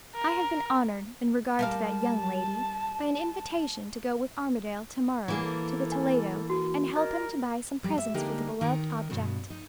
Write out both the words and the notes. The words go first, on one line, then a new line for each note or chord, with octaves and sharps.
I have been honored, in regard to that young lady, by an invitation to go with Armadale to-morrow to the Toledo, and help him to buy some presents for the beloved object.
A#4
G3 A#4 F5 A5
E3 A#3 G#4 A#4
A4
G#5
F#4
A#4 D5 D#5 D6
G3
E5
D3 G#3 A#3 D#4 G4 A#4
D#3 D#4 A#4
G2 B2
D#4